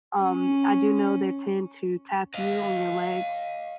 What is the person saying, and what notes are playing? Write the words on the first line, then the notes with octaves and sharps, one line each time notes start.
um, I do know their tend to tap you on your leg
C#4
D#5 F5